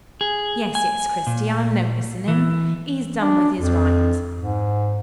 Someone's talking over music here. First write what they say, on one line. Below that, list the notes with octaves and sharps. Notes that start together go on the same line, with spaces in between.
Yes, yes, Cristy, I'm noticing him; he's done with his writings.
G#4
G#5
A#2
E3
D4
F2
G#2